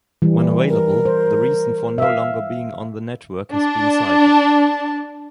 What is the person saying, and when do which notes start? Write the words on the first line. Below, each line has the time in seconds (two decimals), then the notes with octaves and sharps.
When available, the reason for no longer being on the network has been cited.
0.22 E3 G3
0.69 A#4
1.05 C5
1.98 E5 F5
3.52 D4 A5